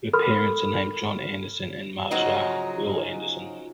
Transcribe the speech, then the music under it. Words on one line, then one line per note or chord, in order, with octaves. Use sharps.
Her parents are named John Anderson and Maja Will Anderson.
A4 A#4 B5 C6 F6
C#3 F3 F#3 G#3 D#4